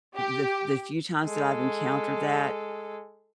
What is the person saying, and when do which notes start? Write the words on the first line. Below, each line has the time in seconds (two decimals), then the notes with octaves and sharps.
the f the few times that I've encountered that
0.16 G4
1.25 G#3 A4